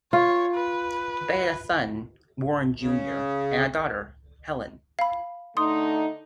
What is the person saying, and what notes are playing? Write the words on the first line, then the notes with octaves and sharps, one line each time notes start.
They had a son, Warren Junior and a daughter, Helen.
F4 C#5
B4
C#3
F5 B5
D3 A3 D#4 C6 D#6